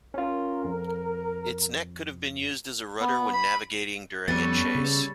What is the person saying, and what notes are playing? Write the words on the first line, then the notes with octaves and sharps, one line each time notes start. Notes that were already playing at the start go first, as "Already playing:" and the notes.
Its neck could have been used as a rudder when navigating during a chase.
C#4 F4 A#4
F2
B3
B5
F2 G3 B3 C#4 A4 A6
C#3